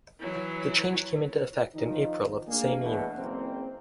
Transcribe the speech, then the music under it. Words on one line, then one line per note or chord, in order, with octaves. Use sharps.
The change came into effect in April of the same year.
E3 F#3
D#3 F3 D#4
A#3 D4 G#4
E2 B2 D3 A3
F#1 E2 G#3 A#3 C4